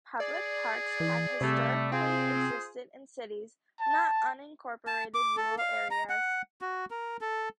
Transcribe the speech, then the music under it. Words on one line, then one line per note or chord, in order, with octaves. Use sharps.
Public parks had historically existed in cities, not unincorporated rural areas.
G#4 D5
E3
C3 G3 A3
C4 F4 G#4 C5
A5
A5
D6
A4
F5
A#5
F#5
F#4
A#4
A4